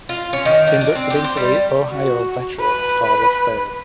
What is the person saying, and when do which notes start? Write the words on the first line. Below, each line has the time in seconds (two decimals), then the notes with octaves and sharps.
Inducted into the Ohio Veterans Hall of Fame.
0.09 F4
0.33 C#4
0.45 D#3
0.67 D4
0.81 D4
0.95 C4
1.10 G4
1.24 C5
1.37 G3
1.89 F#4
2.60 B4